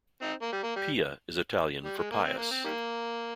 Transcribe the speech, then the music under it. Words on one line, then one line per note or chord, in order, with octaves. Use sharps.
Pia is Italian for pious.
C4 D#4
A#3
G3
A#3
G3
G3
G#3
A#3
C4
A#3
C4
D#3 G3 A#3